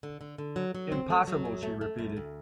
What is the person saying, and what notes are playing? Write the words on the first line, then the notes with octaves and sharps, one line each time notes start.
"Impossible," she repeated.
D3
D3
D3
F#3
F#3
C4
A3
F#3
F#2
A3
A3
F#2
D2